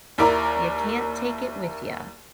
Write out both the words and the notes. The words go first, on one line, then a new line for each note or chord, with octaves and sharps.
"You can't take it with ya.
D#2 E4 A#4 D5 A#5